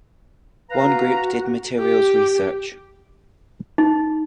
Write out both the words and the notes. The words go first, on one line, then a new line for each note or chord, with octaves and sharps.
One group did materials research.
B4 F5 A#5
F#4
G4
D#4